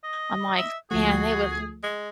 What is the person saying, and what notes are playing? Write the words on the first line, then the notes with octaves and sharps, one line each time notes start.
I'm like, "Man, they would
D#5
E5
D2 F3 A3 F#4 G#4
G#3